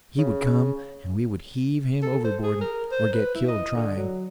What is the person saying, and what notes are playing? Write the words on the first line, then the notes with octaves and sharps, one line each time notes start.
He would come, and we would heave him overboard, or get killed trying.
C#3
A4
C5
G#4
A#4
C5
B4
E4
D#5
D3
F#3